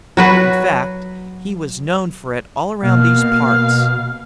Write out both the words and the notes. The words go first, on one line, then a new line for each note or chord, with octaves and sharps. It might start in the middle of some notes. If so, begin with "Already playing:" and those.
In fact, he was known for it all around these parts.
F#3 F#4 B4
B2 A#3 F5